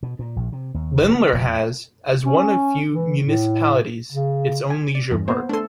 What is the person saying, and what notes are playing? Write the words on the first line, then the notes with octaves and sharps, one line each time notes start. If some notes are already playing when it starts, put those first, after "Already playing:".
Lindlar has, as one of few municipalities, its own leisure park.
B2
A#2
A#1
C3
D#2
E1
C#3
F1
E2
C#4
E3
A2
C#3
G#5
D5
E2 G2 E3
A#3 B3 C5
A3 D4 A4 C6